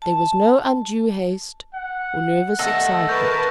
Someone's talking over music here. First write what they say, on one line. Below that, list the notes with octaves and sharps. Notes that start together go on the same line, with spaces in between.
There was no undue haste, or nervous excitement.
A5
F#5
D#3 A3 A4 F#5 E6 A#6
A#4 B4 A5 C#6 G6